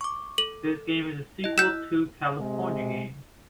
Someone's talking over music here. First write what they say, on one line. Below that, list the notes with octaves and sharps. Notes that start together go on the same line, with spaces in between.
This game is a sequel to "California Games".
C#6 D6
A4 F#7
E4 D#5
E6 F#6 G6 B6 E7
C3 G#3